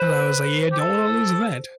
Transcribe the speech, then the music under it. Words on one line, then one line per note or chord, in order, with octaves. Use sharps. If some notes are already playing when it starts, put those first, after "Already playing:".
And I was, like, "Yeah, don't wanna lose that."
Already playing: B4 C5
G4
A4